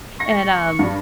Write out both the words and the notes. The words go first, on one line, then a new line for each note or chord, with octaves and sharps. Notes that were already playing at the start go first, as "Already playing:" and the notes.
and, um,
C#6 A#6
G2 G3